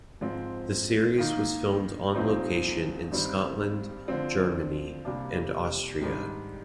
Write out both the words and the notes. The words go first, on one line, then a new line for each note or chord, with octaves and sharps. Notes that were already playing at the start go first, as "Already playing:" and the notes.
The series was filmed on location in Scotland, Germany and Austria.
G#2 F3 C4
D#3 A#3 D#4
C2 A#2 F3 C4 D#4
G2 D#3 G3 C4
D3 F3 C4
C2 C3 G3 A#3 D4
G#2 D#3 G3 D4